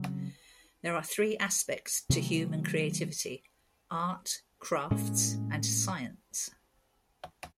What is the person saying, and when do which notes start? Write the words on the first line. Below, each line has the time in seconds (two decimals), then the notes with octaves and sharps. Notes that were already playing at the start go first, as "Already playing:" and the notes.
There are three aspects to human creativity - Art, Crafts, and Science.
Already playing: C#3 F#3 C4
2.09 C3 D#3 F#3 A3
4.90 A2 G#3 C#4